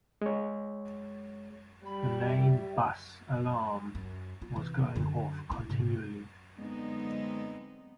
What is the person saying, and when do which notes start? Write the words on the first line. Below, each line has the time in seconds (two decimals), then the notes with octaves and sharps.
The main buss alarm was going off continually.
0.22 G#3 C#5
1.86 G3 B5
2.28 E5
3.95 F#2
4.42 F4
4.56 C3 E3
4.95 F#2 D3
5.50 D4 E4
5.69 G#2 C3
6.56 D3 F#3 G#3 B3 C4 D#4